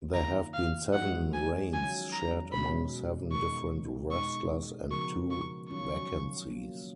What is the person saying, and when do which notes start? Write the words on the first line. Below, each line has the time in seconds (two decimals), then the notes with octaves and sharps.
There have been seven reigns shared among seven different wrestlers and two vacancies.
0.14 D#3 A#3 F4 A#5
0.54 F5
0.94 F3 G#3 D#4 F#4 F#5
1.33 G#5
1.73 D#3 F#3 C#4 F4 G#5
2.13 A#5
2.53 B2 G#3 C#4 F#4 B5
3.32 B2 G#3 D#4 A#4 C#6
4.12 B2 G#3 D#4 G#4 C#6
4.91 C#3 F3 B3 F#4 A#4 C#6
5.31 C#6
5.70 D#3 F#3 C#4 F4 C#6
6.50 F#3 A#3 F4